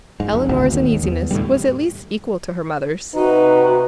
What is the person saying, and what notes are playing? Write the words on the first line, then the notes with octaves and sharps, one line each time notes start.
Elinor's uneasiness was at least equal to her mother's.
G#2
F1
G#1 D2 B2
D#2
E2
D2 A2 C3 G3
C3 D#4 F#4 B4